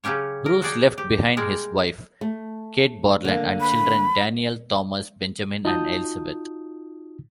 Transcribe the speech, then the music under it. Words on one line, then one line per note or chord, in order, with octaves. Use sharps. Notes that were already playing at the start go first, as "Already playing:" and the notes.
Bruce left behind his wife, Kate Borland, and children Daniel, Thomas, Benjamin and Elizabeth.
C#3 F#3 C#4 G4 C#5
A#4
F#4 G#4 D5 G5
G4
G3 G#3 A#4 D5
A3
D3 A#3
B5
D#4 F4 F#4 A5 D#6 G6